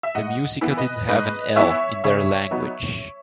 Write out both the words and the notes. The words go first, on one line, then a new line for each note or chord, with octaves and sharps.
The Muisca didn't have an "L" in their language.
E5
G#2 D#5 F#5
E3 B3 E4
B4 D#5
G#2 B4 D#5
E3 B3 E4 C#5 E5
C#3 C#5 E5
F#3 B3 D#4